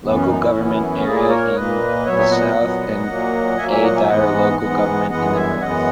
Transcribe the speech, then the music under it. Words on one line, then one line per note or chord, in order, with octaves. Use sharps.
Local Government Area in the South and Ayedire Local Government in the North.
F#2 E3 B3
C#4
B3 D#4
C#4 E4
F#2 E3 B3
A#2 A#3 E4 G#4
A#4 C#5
A#2 A#3 B4 D#5
A#2 F#3 B3 C#5 E5
E5
D#5 F#5
A#2 F#3 B3
A#2 F#3 A#3
A#2 F#3 A#3 E5 G#5
E5 G#5
D#5 F#5
E5 G#5
G#2 E3 G#3 B3 D#5 F#5
G#2 E3 G#3 B3 D#5 F#5
F#2 E3 G#3 B3 D#5 F#5
E5 G#5
F#2 E3 G#3 B3 D#5 F#5